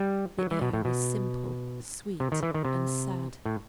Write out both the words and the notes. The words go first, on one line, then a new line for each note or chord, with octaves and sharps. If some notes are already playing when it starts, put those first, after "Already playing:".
The air was simple, sweet, and sad.
Already playing: G3
F#3
E3
B2
A2
B2
C3
D#3
E3
D#3
C3
A2